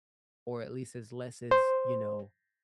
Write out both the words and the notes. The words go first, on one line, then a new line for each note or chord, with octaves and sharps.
or at least as less as you know,
C5